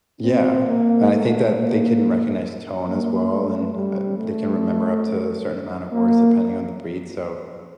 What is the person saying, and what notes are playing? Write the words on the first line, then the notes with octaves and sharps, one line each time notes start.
Yeah, and I think that they can recognize tone as well, and, uh, they can remember up to a certain amount of words depending on the breed, so,
C4
A#3
A3
A#3
A#3
A3
G3
A3
A#3